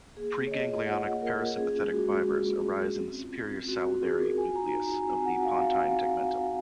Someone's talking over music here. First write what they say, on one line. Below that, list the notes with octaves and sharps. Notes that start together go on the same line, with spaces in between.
Preganglionic parasympathetic fibres arise in the superior salivary nucleus of the pontine tegmentum.
A#3 G#4
A#3
C#5
D#5
F4
F4 F#5
A#3
A#4
F4
C#4 G#4
G#3
F#4
G#3
F#4
F#4
C#4
C4
F4
C4
C4 F#4
F4
G#4
F4
A#4
F#4 G#5
A#5
D#4
A#5
F#4
G#5
C4 G#5
F#5
F#4
F5
C4
F5